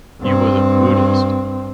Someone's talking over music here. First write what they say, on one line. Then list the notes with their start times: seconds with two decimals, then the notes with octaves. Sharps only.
He was a Buddhist.
0.21 G2 C4